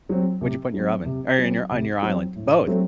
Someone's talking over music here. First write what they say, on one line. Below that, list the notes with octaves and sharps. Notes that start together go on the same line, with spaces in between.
What'd you put in your oven or in your on your island? Both,
F#3 C4
C3
F#3 C4
C3
F#3 C4
C3
F#3 C4
A2
F#3 A3 C4